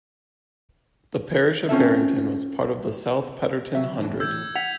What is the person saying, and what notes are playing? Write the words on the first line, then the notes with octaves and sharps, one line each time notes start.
The parish of Barrington was part of the South Petherton Hundred.
C4 C#4 F4 A4 E5
F#3 E5
A2 E3 D4
E6 G6 G#6
F#5 G#6 B6 F7